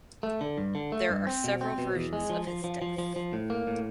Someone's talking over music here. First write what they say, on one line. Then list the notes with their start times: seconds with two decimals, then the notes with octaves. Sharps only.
There are several versions of his death.
0.23 A3
0.41 D3
0.58 G2
0.75 D3
0.92 A3
1.10 G2
1.27 C4
1.44 B2
1.61 C4
1.78 B2
1.96 E2
2.13 G#3
2.30 F3
2.47 F3
2.64 F3
2.82 F3
2.98 F3
3.16 F3
3.33 A2
3.50 A#3
3.67 A2